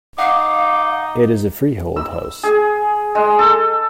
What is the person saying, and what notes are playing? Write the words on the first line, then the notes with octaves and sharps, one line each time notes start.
It is a freehold house.
D#4 F5 F#5 D6
E6
G#4
G#3
A4